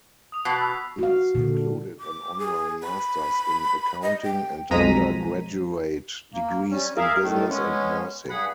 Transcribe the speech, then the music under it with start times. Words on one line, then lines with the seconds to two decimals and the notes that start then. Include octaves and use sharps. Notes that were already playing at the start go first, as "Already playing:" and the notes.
These included an online masters in accounting and undergraduate degrees in business and nursing.
0.32 D#6 F7
0.45 B2 F#6 B6 C7
0.57 B5 C#6 E6
0.98 F#4 F5
1.35 A#2 D3
2.00 D6
2.39 G#4
2.83 B5
4.03 D#5
4.24 G5
4.70 B1 F2 G#3 A#5 B6 D#7
6.34 A#3
6.71 G3 C#4
6.97 G#4 A#4 E5 F5
7.22 A2 D#3 A3
7.49 G#3 B3 C#4
8.29 G2 G#4 F#5 B5